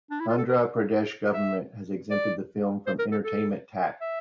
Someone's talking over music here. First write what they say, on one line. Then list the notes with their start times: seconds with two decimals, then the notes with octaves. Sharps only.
Andhra Pradesh government has exempted the film from entertainment tax.
0.11 D4
0.20 E4
0.28 F4
0.38 A4
0.49 A#4
1.33 E5
2.10 D5
2.87 C5
2.99 A#4
3.12 A4
3.24 A4
4.01 E5